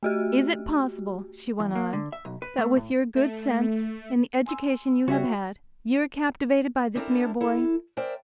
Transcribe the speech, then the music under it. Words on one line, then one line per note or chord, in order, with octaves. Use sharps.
"Is it possible," she went on, "that with your good sense, and the education you have had, you are captivated by this mere boy?"
A3 F#4 G4
E2
A#3
D3
E5
B1
B4
A3
A2
A3
G#5 C6 E6
C#3 G3 F#4 C#5 E5 G5
C4 D4 E4 F4 A4 A#4
E4 A4
A#4 C5 D5 E5 G5